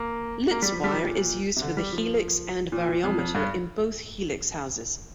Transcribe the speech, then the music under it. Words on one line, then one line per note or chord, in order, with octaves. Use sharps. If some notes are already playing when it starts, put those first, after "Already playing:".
Litz wire is used for the helix and variometer in both helix houses.
Already playing: A#3
A#3
G3
F3
G3
F3
A#2
A#2
C3
D3
G3
F3
A#2
F2
F2
G2